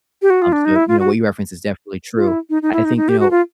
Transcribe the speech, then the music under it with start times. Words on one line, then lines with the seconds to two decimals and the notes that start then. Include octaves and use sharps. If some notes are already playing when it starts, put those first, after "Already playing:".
Um, so, you know, what you referenced is definitely true. I think, you know,
0.22 G4
0.30 F#4
0.42 F4
0.52 D4
0.65 D#4
0.76 E4
0.88 F4
1.00 F#4
2.16 F4
2.28 E4
2.50 D#4
2.62 D#4
2.73 E4
2.85 D#4
2.97 D#4
3.09 G4
3.20 F#4
3.31 F4